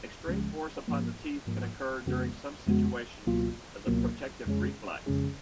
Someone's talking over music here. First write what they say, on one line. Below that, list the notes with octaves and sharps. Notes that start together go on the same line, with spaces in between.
Extreme force upon the teeth can occur during some situations as a protective reflex.
C#2 C#3 F3 G#3
G#2 F3 A#3
G#2 F3 A#3
F2 C#3 G#3 B3 F#4
F2 C#3 G#3 B3 F#4
C#2 B2 F#3 A#3 F4
C#2 B2 F#3 A#3 F4
F2 C#3 G#3 C#4 G#4
F2 C#3 G#3 C#4 G#4